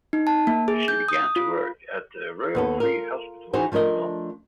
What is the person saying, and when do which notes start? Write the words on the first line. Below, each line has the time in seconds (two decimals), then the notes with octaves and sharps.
She began to work at the Royal Free Hospital in London.
0.13 D#4
0.27 A5
0.47 A#3
0.68 G#4
0.88 G6
1.08 D#6
1.36 F4
2.55 D#2 B3 A4
2.80 F4 A#4
3.53 E3 D#4 F#4 G#4 C5
3.72 F3 A3 D4 A#4 D#5